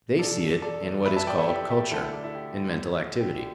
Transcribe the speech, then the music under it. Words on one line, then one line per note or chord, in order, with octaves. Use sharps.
They see it in what is called culture--in mental activity.
E2 B2 A4 D5
A4 D5
B4 E5
E5 A5
D5 G5
E4 A4
G4
G4
D2 D3 E4 A4
E4 A4
A4 D5
E4 A4
G4
G4